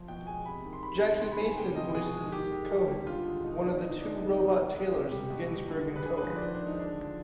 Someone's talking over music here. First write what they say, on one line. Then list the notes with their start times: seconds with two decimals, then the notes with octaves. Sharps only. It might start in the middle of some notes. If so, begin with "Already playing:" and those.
Jackie Mason voices Cohen, one of the two robot tailors of Ginsberg and Cohen.
Already playing: F3
0.08 B2 G5
0.27 G#3 G#5
0.46 C3 B5
0.64 D#3
0.73 C6
0.83 C3 B5
1.02 G3
1.20 D#3 C6
1.32 B5
1.39 B3
1.45 G#5
1.57 C3 G5
1.76 F3 D#5
1.95 B2 G#4
2.14 G#3
2.32 D#3 G4
2.51 G#3
2.69 D#3
2.88 G3
3.07 D3 F4
3.25 G#3
3.44 B2 D#4
3.62 B3 D4
3.81 D3 D#4
4.00 G#3 D4
4.18 C3 D#4
4.31 D#4
4.37 D#3
4.44 D#4
4.56 D#3
4.74 G#3
4.93 C3 G4
5.12 G3
5.30 B2
5.49 G3
5.67 D3
5.86 G#3
5.96 B4
6.05 D3 G#4
6.18 B4
6.23 F3
6.30 B4
6.36 D5
6.42 D#3 C5
6.54 D4
6.61 G#3
6.67 D#4
6.79 D3 D4
6.98 F3